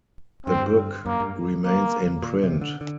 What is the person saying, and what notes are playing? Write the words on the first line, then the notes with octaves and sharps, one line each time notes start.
The book remains in print.
G2 C4
F#2 A#3
G2
A#3
A#2
C3
D3
D3